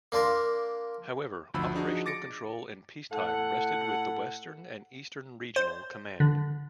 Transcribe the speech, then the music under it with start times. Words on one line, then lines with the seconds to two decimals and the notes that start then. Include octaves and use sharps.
However operational control in peacetime rested with the Western and the Eastern Regional Command.
0.12 A#3 D4 F4 A#4
1.54 G1 D2 F3 B5 E6
1.73 F3 D4 D#4 F#4 G#4
2.06 D6 A6 A#6 C#7 D7
3.12 A2 A4 F#5
5.56 C5
6.20 D3